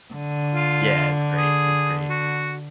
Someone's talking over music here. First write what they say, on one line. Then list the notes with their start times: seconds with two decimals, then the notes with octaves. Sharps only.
Yeah, it's great. It's great.
0.14 D3
0.55 F4
1.37 G#4
2.10 F#4